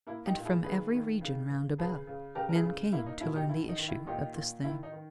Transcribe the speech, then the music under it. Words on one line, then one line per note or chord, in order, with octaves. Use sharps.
And from every region round about men came to learn the issue of this thing.
A#3 E4
D#4 G4
A#2
E4 G#4
D#3 G#4 B4
D#3
C#3
C#3
C#3 G#4 B4
C#3
C#3 G4 A#4
A#4
E4 G#4
C#3
A#3 E4
D#4
B2 E4
D#4 G4
D#3 E4
D#4
D#3
E4
A#2 D#4 G4
A#2
D#3 E4
D#4
D#3